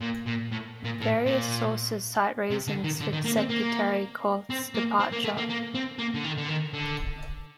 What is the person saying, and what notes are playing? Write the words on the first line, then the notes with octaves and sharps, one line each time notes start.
Various sources cite reasons for Secretary Korth's departure.
A#2
A#2
A2
A#2
A2
A#2
C3
D3
D#3
D3
D#3
A#3
C4
A#3
C4
A#3
C4
A#3
A3
A#3
A#3
C4
A#3
D3
D#3
D3
D#3
D3